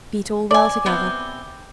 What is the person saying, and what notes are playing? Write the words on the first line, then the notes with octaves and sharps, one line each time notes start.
Beat all well together.
D5 G#5 D6
C3 B3 C4